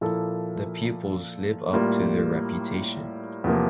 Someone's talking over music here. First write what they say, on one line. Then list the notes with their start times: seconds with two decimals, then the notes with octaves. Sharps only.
The pupils live up to their reputation.
0.01 A#2 F3 A#3 E4 A4
1.73 A2 G3 A#3 F4
3.44 E2 C3 F3 A#3